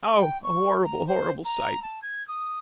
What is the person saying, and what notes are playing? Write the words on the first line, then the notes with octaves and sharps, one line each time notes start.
O! a horrible, horrible sight!'
G5
C#6
A#5
C5
A#5
A5
G#6
D#6